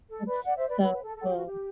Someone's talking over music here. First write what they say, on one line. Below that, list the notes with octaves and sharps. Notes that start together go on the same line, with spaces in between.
That's so cool.
A4
B4 D5
D5 F#5
C5 E5
B4 D5
B4
B4
A4
A4
G4
F#4
G4